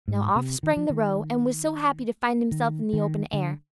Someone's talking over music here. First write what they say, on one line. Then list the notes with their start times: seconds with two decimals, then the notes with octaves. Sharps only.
Now off sprang the roe, and was so happy to find himself in the open air.
0.08 G#2
0.35 C3
0.63 D#3
0.76 F3
0.90 D#3
2.51 D#3
2.93 D#3
3.33 D3